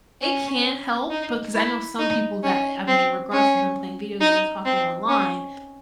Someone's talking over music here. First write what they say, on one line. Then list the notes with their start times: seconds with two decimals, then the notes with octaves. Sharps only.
It can help, because I know some people that I mean, regardless of them playing video games and talking online,
0.22 C#4
1.10 D#4
1.55 E4
1.99 D#4
2.43 C#4
2.88 C4
3.32 C#4
4.20 D#4
4.65 C4
5.09 C#4